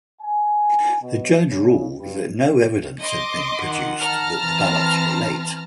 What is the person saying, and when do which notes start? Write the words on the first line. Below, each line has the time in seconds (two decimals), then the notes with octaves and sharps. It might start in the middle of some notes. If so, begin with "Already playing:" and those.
The judge ruled that no evidence had been produced that the ballots were late.
0.22 G#5
1.02 B2
1.48 C#3
1.98 G2
2.99 D#5 C6 D6
3.61 D#3 F#5
4.00 A5 A#5 F6
4.39 E3 C4